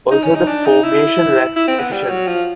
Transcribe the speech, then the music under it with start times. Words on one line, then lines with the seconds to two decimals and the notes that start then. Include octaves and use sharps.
Also the formation lacks efficiency.
0.11 D#4
0.23 C#4
0.36 D#4
0.47 D4
0.66 D#4
0.83 E4
1.56 E4
1.68 C4
1.79 B3
1.92 G3
2.09 F#3
2.27 F3